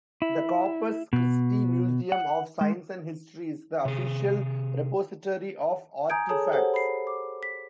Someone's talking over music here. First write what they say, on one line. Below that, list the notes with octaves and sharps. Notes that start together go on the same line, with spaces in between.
The Corpus Christi Museum of Science and History is the official repository of artifacts.
E4
B2
F#5
G#3
C3 G#4
G#5 A#5 D#6 G6 G#6 D7
G#4 A4 C#5 A5 D#6
G4 A4 C5 C#5 F#5
B5 C7
D6
B6